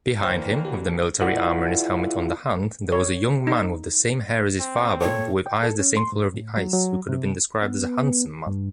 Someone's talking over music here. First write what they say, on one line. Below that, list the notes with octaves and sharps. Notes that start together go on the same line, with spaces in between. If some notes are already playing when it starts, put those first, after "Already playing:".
Behind him, with the military armor and his helmet underarm, there was a young man with the same hair as his father but with eyes the same color of the ice, who could have been described as a handsome man.
D3 E3 A#3 C5 G5 F6
F#4 G4
E4 F4 G#4 B4 D5 F#5
C#5
D#4
C4
A#2 A4 C#5 G5
G5
A4
C#4
C6
G#2
A2
F#3
F#3
C3
B3
G2